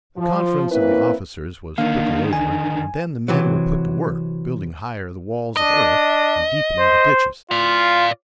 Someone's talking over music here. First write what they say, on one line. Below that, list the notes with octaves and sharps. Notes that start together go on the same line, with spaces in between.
The conference of the officers was quickly over, and then the men were put to work building higher the walls of earth and deepening the ditches.
F3
E3 A#3 C4 C#4 E4 B4
D3 D#3 A#3 F5
G#5
C3 E3 F#3
D4 D#5
C5
F4 D5 F5